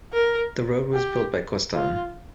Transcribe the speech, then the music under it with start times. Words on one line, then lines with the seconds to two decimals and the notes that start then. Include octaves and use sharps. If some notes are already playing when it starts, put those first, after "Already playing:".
The road was built by Costain.
0.13 A#4
0.93 G4
1.74 F4